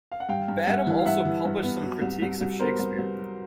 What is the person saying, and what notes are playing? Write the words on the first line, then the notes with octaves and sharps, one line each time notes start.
Badham also published some critiques of Shakespeare.
F5
F#5
G2 F5 G5
G2
G2 E5 F#5
E3
F5
G2 E5 F#5
E3
G2
B3
F#3
C2
C2
C2
B3 A#4 C5
C2
C2
F#3